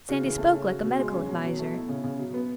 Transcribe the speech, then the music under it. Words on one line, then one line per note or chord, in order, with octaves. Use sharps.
Sandy spoke like a medical adviser.
C#3 F#4
E3
A3
C#4
F#4
B2
G#3
C#4
B2 F#3
F#3
A3
E4
C#3
C#3
F#3
B3